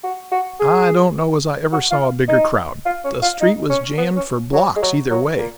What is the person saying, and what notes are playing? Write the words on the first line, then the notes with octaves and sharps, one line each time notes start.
I don't know as I ever saw a bigger crowd; the street was jammed for blocks either way.
F#4
F#4
G#4
F#4
F4
D#4
F4
C#4
F4
D#4
C#4
B3
C#4
F#3
G#3
F#3
F#3
A#2